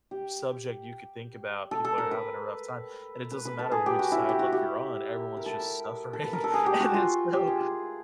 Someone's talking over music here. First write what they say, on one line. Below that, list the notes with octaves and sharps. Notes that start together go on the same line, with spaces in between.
subject you could think about, people are having a rough time, and it doesn't matter which side, like, you're on, everyone's just suffering, and it's so
G4
A4
A4
A#4
B4
B4
B4
A4
G#4
G4
F#4
E4
G4
F#4
G4
A#4
A4
A#4
A4
B4
A#4
A4
G#4
G4
F#4
F4
G4
G#4
G#4